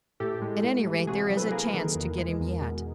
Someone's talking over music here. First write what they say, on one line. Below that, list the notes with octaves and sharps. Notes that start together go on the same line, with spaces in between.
At any rate, there is a chance to get him yet.
A2 G4 A4
G#3
A2
E3
C3 F#4 G#4
F#3
A4 B4
A#3 G#4 A#4
D#3
E2
G#3
E2
B2